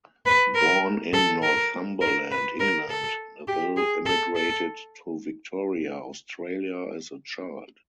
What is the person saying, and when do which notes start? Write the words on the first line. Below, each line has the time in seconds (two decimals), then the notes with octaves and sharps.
Born in Northumberland, England, Neville immigrated to Victoria, Australia as a child.
0.26 B4
0.55 A#4
1.13 A4
1.43 A#4
2.01 A#4
2.31 B4
2.60 A#4
2.89 A4
3.48 G4
3.77 G#4
4.06 A4
4.35 A4